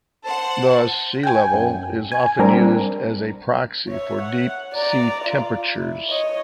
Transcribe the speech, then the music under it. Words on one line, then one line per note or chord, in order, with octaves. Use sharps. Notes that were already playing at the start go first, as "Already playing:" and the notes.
Thus sea level is often used as a proxy for deep sea temperatures.
C5 F#5 A5
G5 G#5
F#2
G#5
G3 C4 D4 A#4
C#5 E5
F#5
D5 A#5
F4
E4
C#5 D#5